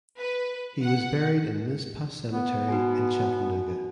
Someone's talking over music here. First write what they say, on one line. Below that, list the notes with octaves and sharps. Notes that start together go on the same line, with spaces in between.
He was buried in Mizpah Cemetery in Chattanooga.
B4
F#5
B3
D#4 F#4 G#5